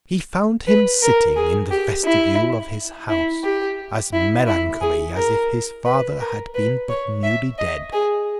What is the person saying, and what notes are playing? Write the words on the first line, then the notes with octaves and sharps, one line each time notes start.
He found him sitting in the vestibule of his house, as melancholy as if his father had been but newly dead.
B4
A#4
G#4
G4
E4
E4
G4
E4
E4
G#4
A#4
B4
A#4
B4
C#5
E5
D#5
G#4